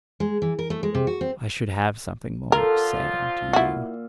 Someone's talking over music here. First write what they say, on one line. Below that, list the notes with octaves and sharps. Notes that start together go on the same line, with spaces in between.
I should have something more to say unto you!
G#3
E3
A#4
A3
G#3
C3
F#4
C4
F3 F4 A4 A#4 D5 F#5
A#2 E4 F#4